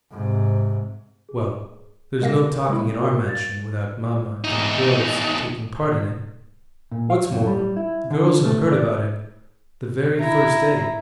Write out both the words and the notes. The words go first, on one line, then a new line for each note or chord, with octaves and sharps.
Well, there's no talking in our mansion without mamma and the girls taking part in it. What's more, the girls had heard about it the very first day.
G#2 C3
G#4
G#3 G#4 A#4 F5 A#6
G#3 E4
F#4 A#4 F5
A6
E2 D#4
A#2
F5
F#2
G3
E4
D3
A3
D5
E4 A#5